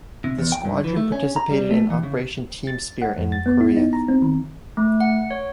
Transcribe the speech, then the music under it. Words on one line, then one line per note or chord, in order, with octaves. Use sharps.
The squadron participated in Operation "Team Spirit" in Korea.
C3
E2
G5
G2
E3
A3
C#4
A#5
G3
A3
E3
C#3
A6
F#5
F2
A6
B3
E4
D#4
A#5
C4
D#3
A3
F#5
C#5